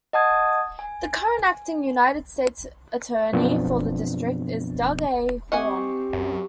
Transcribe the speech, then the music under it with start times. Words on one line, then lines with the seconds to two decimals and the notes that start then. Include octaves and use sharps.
The current Acting United States Attorney for the district is Doug A. Horn.
0.13 D#5 F#5 A5 D#6 G#6
0.79 G#5
3.33 F#2 B2 F3 B3 C4 D4
5.52 C4 G4 D#5 F#5 G#5 C#6
6.13 F#2